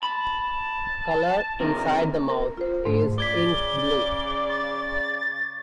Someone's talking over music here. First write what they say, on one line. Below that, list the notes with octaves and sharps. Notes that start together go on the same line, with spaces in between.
Color inside the mouth is ink-blue.
A5 B5
C3 D#3 A#4
A#4
F4 C5
G#2 A3
C#3 D5 D6 G#6 B6 G7
C#6 A6